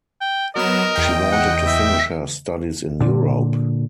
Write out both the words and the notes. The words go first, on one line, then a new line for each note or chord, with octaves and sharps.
She wanted to finish her studies in Europe.
G5
F#3 B3 A#4 D#5 E7
E2 G5
F#5
E5
A#2 D3